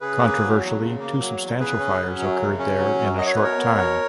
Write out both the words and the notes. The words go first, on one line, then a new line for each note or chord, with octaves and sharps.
Controversially two substantial fires occurred there in a short time.
C#3 G#4 B4
A#3
F#3
E2
C#3
A#3
F#3
E2
C#3 G#4 B4
C#4
F#3
F#2
C#3
C#4
F#3
F#2
F#3 D#5
C#5
B2 B4
A#4 C#5
B3
B2